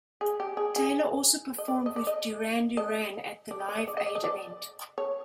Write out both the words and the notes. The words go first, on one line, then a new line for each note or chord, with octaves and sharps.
Taylor also performed with Duran Duran at the Live Aid event.
G#4
G4
G#4
G#4
D#5
D5
D#5
D5
D#5
D#5
D5
D#5
D5
D#5
D5
D#5
D5
D#5
D5
C#5